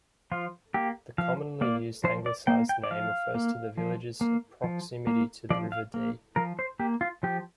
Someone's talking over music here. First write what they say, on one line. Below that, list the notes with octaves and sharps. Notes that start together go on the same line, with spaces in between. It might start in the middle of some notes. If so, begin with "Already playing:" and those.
The commonly used anglicised name refers to the village's proximity to the River Dee.
F3 F4
A#3 G4
F3 F5
A#3 D5
F3 C5
D5
A#3 G5
G5
D5
F3 F5
A#3
F3
A#3
F3
A#3
F3 D5
F5
A#3
F3 A#4
C5
A#3 G4
F4
F3 G4